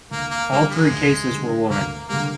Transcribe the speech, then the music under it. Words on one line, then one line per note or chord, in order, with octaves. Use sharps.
All three cases were women.
D2 A#3
A#3
D3 G3 A#3
G#3
D2
D3 G3
D2 A#3
D3 G3 A#3